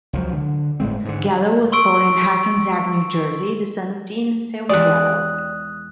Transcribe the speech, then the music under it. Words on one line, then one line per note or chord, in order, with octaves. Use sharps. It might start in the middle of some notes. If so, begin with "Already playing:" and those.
Gallo was born in Hackensack, New Jersey, the son of Dean and Selma Gallo.
C#2 F3 F#3
D3
G1 A2 G#3 C4
G#2 D3
C6 C#6 E6 D7
E2 G#3 G4 D5 D#6 F#6